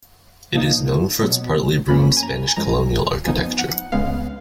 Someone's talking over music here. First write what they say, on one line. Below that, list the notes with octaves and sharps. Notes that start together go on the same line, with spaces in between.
It is known for its partly ruined Spanish Colonial architecture.
A#2 F3 A#3 D#4
B2 F#3 B3
F#2 F3 A#3 C#4 B5
G#5
A#5
G#5
F#2 F3 G#3 A#5
F2 F3 B3 D#4 G#5
F#5
C#2 C#3 G#3 B3 F5